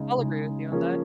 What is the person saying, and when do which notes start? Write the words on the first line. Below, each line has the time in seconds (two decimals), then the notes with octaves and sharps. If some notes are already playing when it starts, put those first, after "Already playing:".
I'll agree with you on that.
Already playing: C#3 G#3 D#4
0.17 C#3 G#3 D#4
0.72 F3 A#3 C#4 G#4